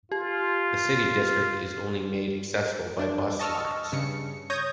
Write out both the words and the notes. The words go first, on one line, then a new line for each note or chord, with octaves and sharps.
The city district is only made accessible by bus lines.
F4 G4
D4
D#5 A5 C#6 E6 F6
G2 C#3 C#7
C#5 D#6 G6 G#6 A#6